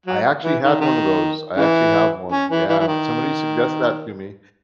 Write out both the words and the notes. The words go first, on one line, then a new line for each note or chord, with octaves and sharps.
I actually had one of those, I actually have one, yeah, somebody suggested that to me.
F#3
E3
D#3
D#3
C#3 E3
C#4
E3
E3
E3
D#3